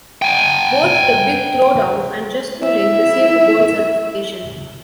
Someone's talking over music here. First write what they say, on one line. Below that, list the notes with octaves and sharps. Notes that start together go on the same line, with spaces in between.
Both "The Big Throwdown" and "Just Coolin"' received gold certification.
G5 G#5
E4 E5